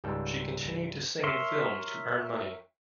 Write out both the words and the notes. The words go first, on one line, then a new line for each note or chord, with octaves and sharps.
She continued to sing in films to earn money.
C#2 G#2 G3 A4
A#4 C#5 E5 C6